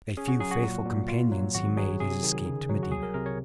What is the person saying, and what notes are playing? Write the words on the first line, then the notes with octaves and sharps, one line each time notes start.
With a few faithful companions he made his escape to Medina.
C#4 G#4
F#4
F#3 G#4
F#4
A#2
A#2
F4
F#3
G#1 F#4
F#3 G#4
C3 G#4
D#3
C#3
F#3
F#4
C2 G#4
A#4
C3 A#4
C#5